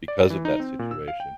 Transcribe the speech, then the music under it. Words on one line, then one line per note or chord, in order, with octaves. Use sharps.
because of that situation.
D5
E3
D#4
C4
A#2
E6
F5
G5